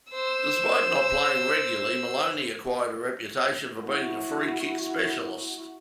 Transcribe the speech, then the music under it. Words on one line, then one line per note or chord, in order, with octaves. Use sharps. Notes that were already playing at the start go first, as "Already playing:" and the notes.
Despite not playing regularly, Maloney acquired a reputation for being a free kick specialist.
C5 E6
E4 F#4